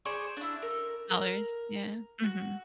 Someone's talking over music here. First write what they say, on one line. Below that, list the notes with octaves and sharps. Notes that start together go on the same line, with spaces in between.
dollars, yeah, mhm.
G#4 C5 D5 C#6
D4 E4
A#4
A#4
F#4